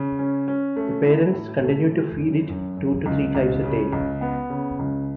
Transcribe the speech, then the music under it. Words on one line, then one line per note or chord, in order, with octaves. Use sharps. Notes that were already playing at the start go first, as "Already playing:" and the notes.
The parents continue to feed it two to three times a day.
Already playing: C#3
C#4
C#4
A3
E4
A2
A3
E3
F#2
F#2
F#2
C#2
C#2
C#3
C#2
B3
C#3
C#2